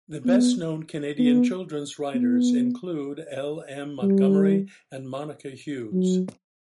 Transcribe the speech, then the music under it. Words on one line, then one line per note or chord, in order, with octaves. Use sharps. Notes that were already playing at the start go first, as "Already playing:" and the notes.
The best-known Canadian children's writers include L. M. Montgomery and Monica Hughes.
B3
B3
B3
G3
F#3